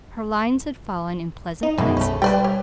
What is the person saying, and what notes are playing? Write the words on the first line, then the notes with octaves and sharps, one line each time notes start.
Her lines had fallen in pleasant places.
D#4
F#2 B2 F#3 G#3 A#3 E4
B1 A3 C#4
G3 B4 D5 G5
G4 C#5